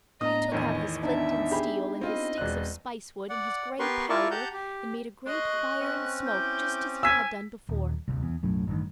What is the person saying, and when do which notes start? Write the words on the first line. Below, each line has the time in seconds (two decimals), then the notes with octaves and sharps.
He took out his flint and steel, and his sticks of spice-wood and his gray powder, and made a great fire and smoke just as he had done before.
0.21 A2 B3 D4 D#5 A#5 D#6
0.52 A1 E2 D#3 C#5 D#5
1.03 B3 D4 D#4 E5
1.51 G4 G#4 B5
2.01 C4 F4 D#5
2.38 E1 D5 F#6
3.30 D5 F#5
3.79 B3 G4 A#4 B4 C6 C#6
4.09 E4 F4 A#4 D5 A5 C#6
4.31 G4 F#5 A5 A#5 G6
4.53 G4
5.26 D#5 C6 C#6 F#6
5.80 C4 C#4
6.26 E4 D6 G6
7.03 G#5 E6 B6
7.69 D#1
8.08 D1 G1 C2
8.23 E2
8.43 B1 F#2 A2
8.67 A1 G2 D#3